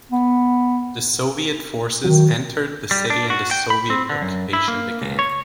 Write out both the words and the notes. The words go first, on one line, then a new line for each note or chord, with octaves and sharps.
The Soviet forces entered the city and the Soviet occupation began.
B3
D#3 F#3
G3
D4
F#4
G5
B5
C4
D3
F#2
E4
A#3
C#2
C#5